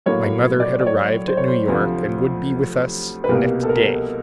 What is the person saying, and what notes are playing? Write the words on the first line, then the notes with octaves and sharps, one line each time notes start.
My mother had arrived at New York, and would be with us the next day.
A2 F#3 A#3 C#5
D5
D5
C#5
C5
C#5
C5
D2 C3 F3
B4
C2 B2 G3 A#3 A#4
A4
A#4